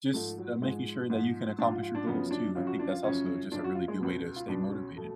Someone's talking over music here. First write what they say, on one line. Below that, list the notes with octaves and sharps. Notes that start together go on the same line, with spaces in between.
just, uh, making sure that you can accomplish your goals too. I think that's also just a really good way to stay motivated.
G#2 F3 A3
F#3
G#2 F3 G#3
G#2 F3
G#2 F3 D4
F4
F4
D4
F#2 C#3 F3 B3
D4
F#2 C#3 F3 F4
F#4
D4
F4
F#2 C#3 F3 C#4
F#2 C#3 F3 D4
F#4
F4
G#3
C#2 B2 B3
F4
C#2 B2 D4
C#4
B2 A3